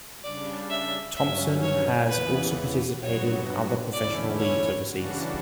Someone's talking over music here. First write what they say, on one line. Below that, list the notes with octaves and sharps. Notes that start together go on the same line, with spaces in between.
Thompson has also participated in other professional leagues overseas.
C#3 G3 D4 D5
E5
G2 F#3 C#4 E5
C#5
E2 C#3 E3 B3 B4
G2 F#3 B3 F#4 C#5
E2 D3 A3 C#4 E4 D5
C#5
C#3 E3 G3 D4 F#4